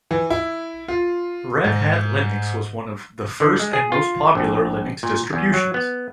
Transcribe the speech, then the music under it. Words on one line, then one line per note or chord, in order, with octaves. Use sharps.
Red Hat Linux was one of the first and most popular Linux distributions.
E3
E4
F4
G#2
D3
G#3
G#4
F4
A#1
A#2
E2
F#3
B3